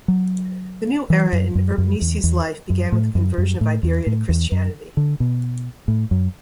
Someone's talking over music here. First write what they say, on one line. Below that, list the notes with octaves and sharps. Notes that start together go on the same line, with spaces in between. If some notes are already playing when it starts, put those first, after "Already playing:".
The new era in Urbnisi's life began with the conversion of Iberia to Christianity.
F#3
E3
F#2
F#2
F#2
E2
E2
F#2
A2
F#2
F#2
A2
E2
A2
E2
F#2
D3
B2
A2
F#2